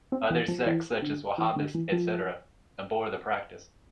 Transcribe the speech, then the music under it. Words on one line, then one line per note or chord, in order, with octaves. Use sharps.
Other sects, such as Wahhabists etc., abhor the practice.
C4
E3
F3
E3
D3
E3
D3
E3
F3